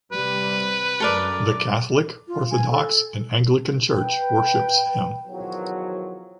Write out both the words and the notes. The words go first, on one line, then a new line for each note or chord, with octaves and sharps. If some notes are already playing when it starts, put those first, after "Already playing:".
The Catholic, Orthodox and Anglican church worships him.
C3 G3 B4
F#2 A4 A#4 D5
F4
G#5
A4
B4 G5
E2 B2 D#3 F3 F#3